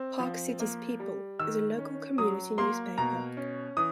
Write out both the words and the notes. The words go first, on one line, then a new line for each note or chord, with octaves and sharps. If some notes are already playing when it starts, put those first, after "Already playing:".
"Park Cities People" is a local community newspaper.
Already playing: C4
F3
A#3
G3
D#3 E6
C#4
F#3 D#6
A#3 C6
B2 A#5
C#4
E3 D#6